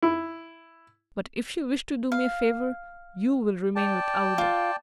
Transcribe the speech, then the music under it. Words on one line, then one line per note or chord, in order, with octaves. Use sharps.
But if you wish to do me a favour, you will remain with Aouda.
E4
F5
D5 G5 A5
F4